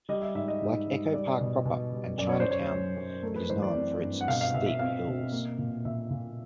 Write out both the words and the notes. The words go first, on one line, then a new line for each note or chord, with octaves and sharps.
Like Echo Park proper and Chinatown, it is known for its steep hills.
G3 D#5
E5
G#2 E5
D#5
G#2
G3
G3 D5
B2
B2
G3
F#2 D5
C#5
C5
F#2
C#5
F#2
F#2
A3 A#4
B4
E3 C5
D5
C4
G2
F#5
B2 F5
F5
B2 E5
E5
C4 F5
B2
A#3
A#2
A#2 E5
A#2